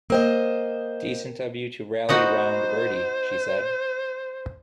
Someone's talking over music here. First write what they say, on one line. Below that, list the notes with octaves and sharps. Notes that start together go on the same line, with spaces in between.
"Decent of you to rally round, Bertie," she said.
A#3 A#4 C5 D#5 G5
B3 D#4 F#4 C5